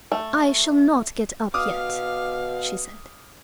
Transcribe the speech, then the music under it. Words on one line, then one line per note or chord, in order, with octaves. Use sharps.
"I shall not get up yet," she said.
A3
B2 F5 D6 D#6 F6